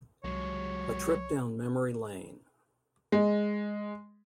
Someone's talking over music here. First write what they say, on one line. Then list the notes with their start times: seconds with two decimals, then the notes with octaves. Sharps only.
A trip down memory lane.
0.24 C2 F#3 G#3 C#5
3.12 G#3